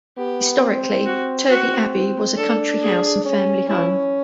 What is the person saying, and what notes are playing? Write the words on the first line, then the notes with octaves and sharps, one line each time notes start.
Historically, Turvey Abbey was a country house and family home.
B3 G4
C4
F#4
C4 F#4
D4 A4
G#4
C#4
C#4 E4